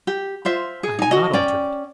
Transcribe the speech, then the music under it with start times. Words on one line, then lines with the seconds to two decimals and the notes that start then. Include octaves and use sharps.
"I have not altered it."
0.07 G4
0.45 F4 C5 E5
0.83 G#4
0.99 D#4 G#5
1.11 F#4 D#5
1.33 C#4 D5 G5